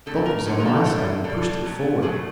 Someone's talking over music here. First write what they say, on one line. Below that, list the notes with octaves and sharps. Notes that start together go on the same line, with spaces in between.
The bolt was on my side, and I pushed it forward.
D3 F#3 A3 A4
A#4
D3 F#3 A3
A#4
A4
B2 G3 A4
B2 G3 A4
B2 F#3 A3
B2 F#3 A3 G#4